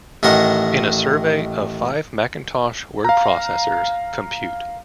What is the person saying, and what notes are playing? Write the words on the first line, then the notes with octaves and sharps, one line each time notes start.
In a survey of five Macintosh word processors, Compute!
A1 D#3 A#4 F#5
F5 A#5